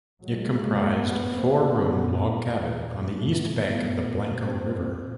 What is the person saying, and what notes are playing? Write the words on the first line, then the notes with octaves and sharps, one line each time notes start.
It comprised a four-room log cabin on the east bank of the Blanco River.
A2 F#3 G#3
G#3 A#3
A3 B3
A#3 C4
A#2 B3 C#4
A#2 A3 B3
A3 B3
A#3 C4
A#2